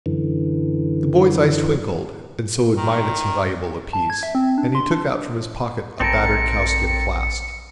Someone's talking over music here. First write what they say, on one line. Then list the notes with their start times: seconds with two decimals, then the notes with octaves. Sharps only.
The boy's eyes twinkled, and so would mine at so valuable a piece, and he took out from his pocket a battered cowskin flask.
0.06 F#2 D3 E3
2.77 D#3
3.93 A5
4.10 G#6
4.23 E5
4.35 C4
4.58 D4
4.75 C6
4.91 D4
6.00 A#1 C4 A4 A#4 C#7